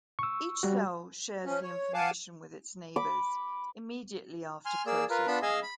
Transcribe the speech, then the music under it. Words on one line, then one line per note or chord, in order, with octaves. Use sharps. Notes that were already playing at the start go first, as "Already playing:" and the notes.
Each cell shares the information with its neighbors immediately after processing.
C#6 E6
G3 F#4
F3 C#4
C#5
F5 F#5 G#5 A5 D6
B5 D6
G#5 C6 F6
A#3 G#4 D5 E6
F4 A#4 B4
B3 D4 F4 A5 B5
G#4 D#5 F5 G#5 E6
B5